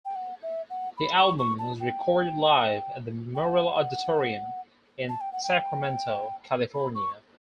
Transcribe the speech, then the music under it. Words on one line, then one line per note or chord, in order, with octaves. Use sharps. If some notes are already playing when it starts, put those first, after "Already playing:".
The album was recorded live at the Memorial Auditorium in Sacramento, California.
G5
F#5
E5
F#5
B5
C#6
C#6
A5
G5
G5
F#5
A5
G5
F#5
G5
B5
C#6